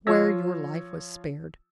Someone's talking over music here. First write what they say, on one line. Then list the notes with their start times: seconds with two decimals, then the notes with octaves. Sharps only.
Where your life was spared!
0.07 F3 F4 C#5 E6 A#6